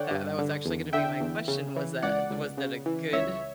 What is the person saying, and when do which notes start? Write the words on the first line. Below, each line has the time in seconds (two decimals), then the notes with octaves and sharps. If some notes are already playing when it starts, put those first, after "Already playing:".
That that was actually gonna be my question. Was that was that a good
Already playing: D3 C#5 D5 F#5 G5
0.11 G2
0.39 D3
0.66 E2
0.93 D3 E5 G5
1.21 E2
1.48 C#3
1.76 E3
2.02 C#2 D5 F#5
2.30 C#2
2.58 C#3
2.86 E3
3.13 C#2 C#5 E5